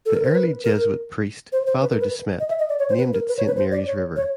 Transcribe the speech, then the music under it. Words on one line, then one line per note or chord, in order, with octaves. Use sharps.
The early Jesuit priest, Father De Smet, named it Saint Mary's River.
A4
A#4
C5
A#4
B4
A#4
C5
C5
B4
A#4
B4
D#5
E5
D#5
D5
C#5
C5
B4
A#4
B4
C#5
B4
C5
D5
C#5
C#5